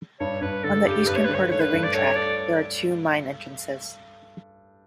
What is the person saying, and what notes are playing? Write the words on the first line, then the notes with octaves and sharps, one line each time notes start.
On the eastern part of the Ring Track there are two mine entrances.
G2 C#5
G2 B4
D3 A4
G2 G4
G2 B4
C#5
D3 B4
C#5
B4
A3 C#5
B4
G2
D5
A4 C#5
A4 D5